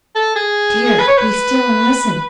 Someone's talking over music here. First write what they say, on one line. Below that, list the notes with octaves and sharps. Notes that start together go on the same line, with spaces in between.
"Dear, be still, and listen!"
A4
G#4
B4
C#5
B4